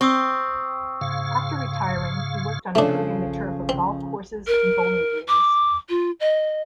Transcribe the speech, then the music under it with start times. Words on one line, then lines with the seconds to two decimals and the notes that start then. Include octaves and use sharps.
After retiring, he worked on improving the turf of golf courses and bowling greens.
0.01 C4 C#6 D#6 E6
1.01 G#2 C#3 F5
2.75 C#3 F3 A3 D4 A4
3.69 C4
4.47 A#4
5.28 D6
5.89 F4
6.20 D#5